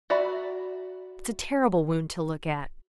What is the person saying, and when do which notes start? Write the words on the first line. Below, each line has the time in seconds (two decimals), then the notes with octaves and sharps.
"It's a terrible wound to look at."
0.10 F#4 D5 E5 A#5 B5